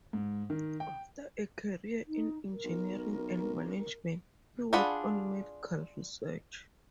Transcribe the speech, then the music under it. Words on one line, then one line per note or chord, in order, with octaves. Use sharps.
After a career in engineering and management, he worked on medical research.
G#2
D#3
G5
D#4
A#4
B1
D4 F4 G#4 F#5 B5